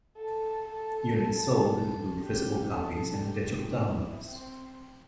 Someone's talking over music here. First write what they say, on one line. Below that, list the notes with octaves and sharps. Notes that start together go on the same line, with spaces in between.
Units sold include physical copies and digital downloads.
A4
A4
G4
A4
G4
E4
C4